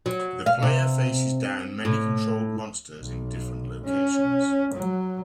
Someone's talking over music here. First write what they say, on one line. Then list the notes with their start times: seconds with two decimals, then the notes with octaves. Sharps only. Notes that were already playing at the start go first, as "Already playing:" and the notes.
The player faces down many controlled monsters in different locations.
0.06 F#3
0.46 F5
0.62 C3
1.85 A2
2.98 B1
3.84 C#4
4.74 F#3